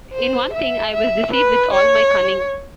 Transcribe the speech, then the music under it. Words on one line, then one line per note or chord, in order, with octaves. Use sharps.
In one thing I was deceived with all my cunning.
C5
E5
E5
B4
C#5